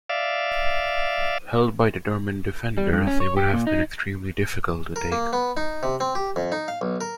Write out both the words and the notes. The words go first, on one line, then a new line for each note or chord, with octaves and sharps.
Held by determined defenders, they would have been extremely difficult to take.
D5 E5 F5
G3
G2
C#4
C#5
G4
A#2
D#4
A#4
A#3
B3
D#4
C3
C4
G4
F2
D#4
F5
B1
A#4